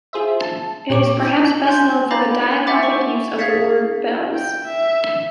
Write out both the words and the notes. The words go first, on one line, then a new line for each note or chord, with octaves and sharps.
It is perhaps best known for the diacopic use of the word bells.
F4 G#4 C5 E5
A5
A#2 G4 C#5 D6
G#5 C6 F#6 G6
F5 A#5 B5 D6 A6 A#6
E5 F#5 G#5 B5 D6 A6
C5 C#6
G#4 F5 G#6 A6 B6 C#7
G5
E5